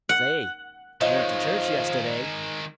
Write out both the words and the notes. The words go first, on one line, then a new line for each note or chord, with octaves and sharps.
"Say, I went to church yesterday."
F#5
D#3 F3 G#3 D#4 C#5